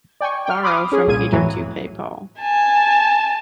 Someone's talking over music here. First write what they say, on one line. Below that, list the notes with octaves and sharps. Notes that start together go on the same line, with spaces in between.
Borrow from Peter to pay Paul.
D5 G5 G#5 C#6
G5 F6
B5 C6 D6 D#6 F6
C#4 G#4
C2 A#2 G#4 G#6 D#7
F2 A2 E3 F#3
G#5 A5